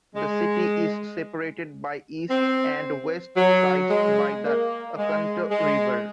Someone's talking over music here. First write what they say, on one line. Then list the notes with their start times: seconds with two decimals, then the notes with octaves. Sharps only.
The city is separated by east and west sides by the Oconto River.
0.16 G#3
2.30 C4
3.37 F#3
3.90 G#3
4.44 A#3
4.98 G#3
5.51 G#3